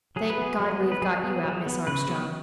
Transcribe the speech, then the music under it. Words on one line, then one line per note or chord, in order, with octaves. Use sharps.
"Thank God, we have got you out, Miss Armstrong."
F#3 G#4
B4
B3 G#4
F#3
B3
B4
F#3 G#4
B3
F#3
B3
C#3 B4
F#3 B3